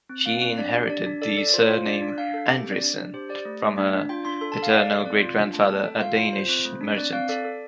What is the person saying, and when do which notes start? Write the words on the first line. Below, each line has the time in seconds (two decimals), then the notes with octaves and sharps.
She inherited the surname 'Andresen' from her paternal great grandfather, a Danish merchant.
0.09 C4
0.26 C4 F5
0.42 C4
0.58 D4 D5
0.74 G4
0.90 D4 D5
1.06 D4
1.22 A4 D5
1.37 A4 D5
1.54 F4 C5
1.70 F4
1.85 D4 D5
2.02 D4
2.18 D4 F5
2.34 A4
2.50 G4 G5
2.66 C4
2.71 D5
2.82 D4
2.98 D4
3.14 G4 C5
3.29 G4 D5
3.45 A3
3.62 A3
3.78 D4
3.93 D4
4.09 F4 G5
4.25 D4 C6
4.41 A4 C6
4.52 A5
4.57 A4
4.63 F5
4.73 A4 D5
4.89 A4
5.05 C4 D5
5.21 F4
5.37 D4 G5
5.53 A3 A5
5.69 C4 A5
5.85 A4 G5
6.01 F4 F5
6.17 F4
6.33 F4 C5
6.49 C4
6.65 A3
6.81 D4
6.96 C4 D5
7.13 C4 F5
7.29 A4 D5
7.45 A4